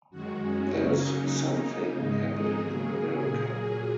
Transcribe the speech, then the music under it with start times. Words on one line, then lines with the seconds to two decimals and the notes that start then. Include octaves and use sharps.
There’s something happening in America.
0.10 F#2 D#3 G#3 F#4
0.42 C#4
0.73 C#3 F#3 A#3
1.04 D#4
1.35 C#3 A#3
1.66 D#4
1.98 G#2 D#3 G#3
2.29 G#4
2.60 C#3 F#3 A#3 G#4
3.22 A#2 F#3 A#3 G#4
3.54 G#4